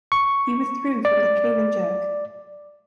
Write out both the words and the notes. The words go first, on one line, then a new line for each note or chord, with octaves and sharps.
He withdrew from the clean and jerk.
C#6
D5